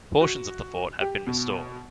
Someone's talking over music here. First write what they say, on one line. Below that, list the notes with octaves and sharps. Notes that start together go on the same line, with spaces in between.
Portions of the fort have been restored.
F#4
G4
B2